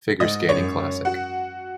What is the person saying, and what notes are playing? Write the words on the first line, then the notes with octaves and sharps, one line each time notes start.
Figure Skating Classic.
G#2 D#5 D#6
F#2 C#5 C#6
F#4 F#5